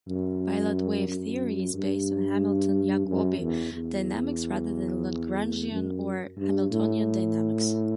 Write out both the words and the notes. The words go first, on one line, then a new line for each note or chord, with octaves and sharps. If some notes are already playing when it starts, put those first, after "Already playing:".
Pilot Wave theory is based on Hamilton-Jacobi dynamics rather than Lagrangian or Hamiltonian dynamics.
F#2
F#2
G2
F#2
E2
E2
F#2
G2
A2